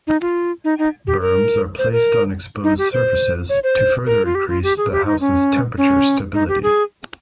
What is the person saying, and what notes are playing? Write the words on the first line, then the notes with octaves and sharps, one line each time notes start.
Berms are placed on exposed surfaces to further increase the house's temperature stability.
D#4
F4
D#4
D#4
G4
A#4
C5
A#4
D#4
G4
C5
C#5
C5
A#4
F4
G4
F4
G4
G#4
G4
D#4
C#4
C#4
D#4
G4
G#4